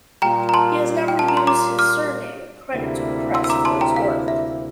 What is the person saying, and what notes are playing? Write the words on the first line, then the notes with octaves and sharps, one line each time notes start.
He has never used his surname in credits or press for his work.
A#2 G3 A#3 F4 G5 A#5
A#5
A5 C6
G5
A5
A#5
C6
A#5 D6
D6 F6
D2 C3 G3 A#3 E4
C6 E6
E6
A#5 D6
A5 C6
G5 A#5
F5
E5